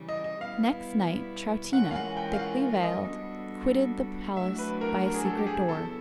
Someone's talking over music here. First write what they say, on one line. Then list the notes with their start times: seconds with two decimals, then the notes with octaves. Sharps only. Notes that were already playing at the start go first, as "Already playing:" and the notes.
Next night Troutina, thickly veiled, quitted the palace by a secret door.
Already playing: C#3 E3 G3
0.09 D#5
0.24 D#5
0.41 B2 G3 B3 E4 F5
1.73 E3 G#3 C#4 F4 A#4 F#5
1.91 F5
1.95 F#5
2.17 G5
2.33 F5
2.39 F#5
2.83 D#5
3.05 G3 B3 D4 F#4 A4
4.37 A2 F#3 A3 D4 F#4 E5
4.59 B4
4.81 A#4
5.03 A#4
5.14 G#4
5.25 A4
5.37 G4
5.47 G#4
5.68 C#3 F#3 B3 E4 A4